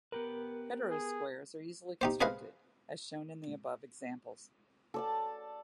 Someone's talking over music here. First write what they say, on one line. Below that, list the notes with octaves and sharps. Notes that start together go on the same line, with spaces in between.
Heterosquares are easily constructed, as shown in the above examples.
B3 G4 A#4 B4
G#4
D#4 G4 C5
G#4 B4 C5 D#5 F5 G#5
A4 D5 A5